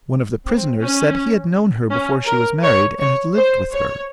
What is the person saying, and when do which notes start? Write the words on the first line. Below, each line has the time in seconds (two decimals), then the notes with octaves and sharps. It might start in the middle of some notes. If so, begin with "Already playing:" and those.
One of the prisoners said he had known her before she was married and had lived with her.
0.46 C4
0.82 C#4
1.91 C#4
2.26 A#4
2.63 C#5
3.00 C#5
3.36 C5
3.72 C#5